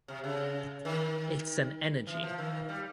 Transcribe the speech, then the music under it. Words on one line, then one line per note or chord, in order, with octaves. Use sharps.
It’s an energy!
C3
C#3
D#3
E3
F3
D#3
G3